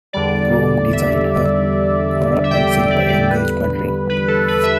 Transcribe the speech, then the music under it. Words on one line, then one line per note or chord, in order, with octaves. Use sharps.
The groom designed her coral and silver engagement ring.
E2 D3 G3 D5
E5
E5
G5
D5
E5
D5
E2 D3 G3 B4
B4
A4
B4
E5